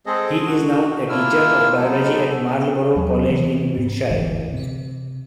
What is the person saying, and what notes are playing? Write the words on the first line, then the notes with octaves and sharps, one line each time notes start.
He is now a teacher of Biology at Marlborough College in Wiltshire.
G#3 C4 G#4 A4 D#5
F#4
A#3 D4 E4 F4 E6 F6
F#3 G#3 B3 D#4 A4
D#2 F#3 G#3 C#4
C3 E3
G#2 B3
G1 D2 E3
C3